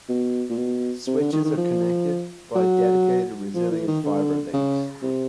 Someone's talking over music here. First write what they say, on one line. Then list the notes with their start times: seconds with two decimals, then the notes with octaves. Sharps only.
The switches are connected by dedicated resilient fibre links.
0.09 B2
0.50 A#2
0.58 B2
1.07 C3
1.20 D3
1.33 D#3
1.44 D#3
1.57 F3
2.55 F#3
3.55 F3
3.71 E3
3.88 D#3
4.04 D3
4.53 C#3
5.02 C3